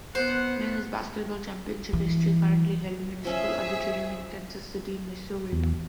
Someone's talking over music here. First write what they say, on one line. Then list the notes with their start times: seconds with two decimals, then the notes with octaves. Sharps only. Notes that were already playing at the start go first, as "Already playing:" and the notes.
Men's Basketball Championship History; currently held Municipal Auditorium in Kansas City, Missouri.
0.15 B3 C5 F#5
1.93 E3
3.25 F3 C#4 G#4 E5
5.52 E2